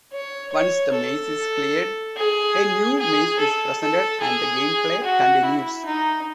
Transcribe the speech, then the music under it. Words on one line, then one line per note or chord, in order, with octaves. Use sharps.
Once the maze is cleared, a new maze is presented and the gameplay continues.
C#5
C#5
A4
G#4
G#4
A4
A4
G#4
F#4
E4
D#4